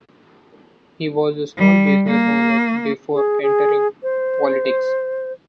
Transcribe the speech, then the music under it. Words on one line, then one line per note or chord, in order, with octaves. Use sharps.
He was a small business owner before entering politics.
G3
A#3
G#4
G#4
C5